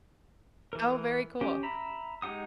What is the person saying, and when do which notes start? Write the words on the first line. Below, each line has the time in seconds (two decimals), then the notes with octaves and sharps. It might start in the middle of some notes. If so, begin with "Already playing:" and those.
Oh, very cool.
0.73 E3 A#4
1.41 C#4 G4
1.63 E5 A#5 B5
2.22 G#3 D#4 G4 F#5 D#6